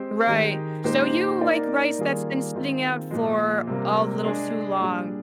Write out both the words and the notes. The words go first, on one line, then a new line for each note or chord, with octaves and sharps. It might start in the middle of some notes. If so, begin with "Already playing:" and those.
Right. So you like rice that's been sitting out for a little too long.
Already playing: G#3 C4 G4 C5
D#3 G#3 D#4 G4
A#2 G#3 D#4 G4 C5
A#3 D#4 A#4 D5
D#3 G3 A#3 F4 G#4
D#3 G#3 C4 F4
A#2 F3 G#3
C3 G3 A#3
G#3 D4 G#4
A#2 G3 D4 G#4